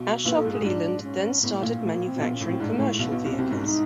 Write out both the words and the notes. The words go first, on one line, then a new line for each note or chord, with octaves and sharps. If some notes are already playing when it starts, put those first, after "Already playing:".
Ashok Leyland then started manufacturing commercial vehicles.
Already playing: B1 B2
A#1 A#2 B4
A4
G#2
G#4
G#2 D4
C#4
A2 B3
A#3
A#1 A#2 A3
A#3
A3
A#3
C4
B2
A#1 A#2 B3
C#4
A2
C4
G#2 D4
A3
A2
B1 B2 B3
B1 B2
C2 C3 C#4
C2 C3 C4
G#2 C#4
D#4